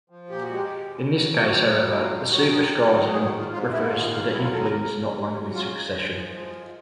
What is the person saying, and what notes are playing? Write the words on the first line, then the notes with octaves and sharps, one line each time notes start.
In this case, however, the superstratum refers to influence, not language succession.
F3
A#2 G4
F#4
G#3
G4
D#2
C#3
F#3
F#3
F#4
F#3 F4
F#3 E4
D#2 E4
F4
D#2
F4
F#3 F#4
D#3 G#4
F#3
D#3 A4
G#2 G#4
F#4
G#2
F4
G#2 F4
G#2 E4
D#2 F4
D#2 F4
F#3 E4
F4
D#2 A4
A#4
D#2
D#2
F#3
F#3
C#3 F4
G#3
G#3
F3
G#3
F3